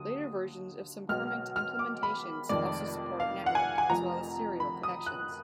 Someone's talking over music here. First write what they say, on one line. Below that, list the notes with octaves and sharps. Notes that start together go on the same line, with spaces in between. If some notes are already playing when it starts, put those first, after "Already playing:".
Later versions of some Kermit implementations also support network as well as serial connections.
Already playing: D#2 D3 F#3 D#6
B1 B2 G#3 F6
F6
D6
B5
F1 F2 D#3 G#3 D5
F5
F#5
G#5
G#5
F1 F2 F3 A#5
B5
D#6
F#6